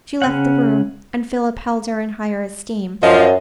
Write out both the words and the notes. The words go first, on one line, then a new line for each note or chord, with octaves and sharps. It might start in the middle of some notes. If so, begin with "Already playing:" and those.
She left the room, and Philip held her in higher esteem.
C#3 C#4 F#5
F#2 F3 D#5